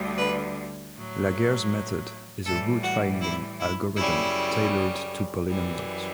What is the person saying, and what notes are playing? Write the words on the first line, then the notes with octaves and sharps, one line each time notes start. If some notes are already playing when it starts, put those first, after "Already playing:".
Laguerre's method is a root-finding algorithm tailored to polynomials.
Already playing: D2 D3 G3
B4
A2 F#3
A2 E3 G3 A4
F#4
E4
E4
F#2 C#3 G3 E4
F#2 E3 G3